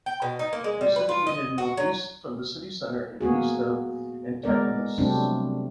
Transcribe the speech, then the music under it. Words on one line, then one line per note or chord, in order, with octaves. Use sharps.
It is situated northeast from the city center and east of Antakalnis.
G5
B2
D#4
A#3
G#3
G3
B4
F4
D#5
F#4
F#3
A#3 B3 F#4 G#4
G#3 B3 A#4 D5
C3 F#3 G3 A3 C4 D4